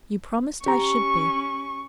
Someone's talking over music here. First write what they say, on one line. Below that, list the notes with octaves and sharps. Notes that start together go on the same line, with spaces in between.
"You promised I should be."
C#4 G4 A#5 C#6